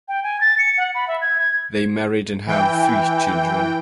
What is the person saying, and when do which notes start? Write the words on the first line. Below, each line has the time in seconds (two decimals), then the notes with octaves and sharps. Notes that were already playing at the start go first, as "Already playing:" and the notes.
They married and have three children.
0.08 G5
0.23 G#5
0.41 A6
0.58 C#7
0.78 F#5
0.95 B5
1.08 E5
1.22 G#6
1.38 G#6
2.47 E3 G5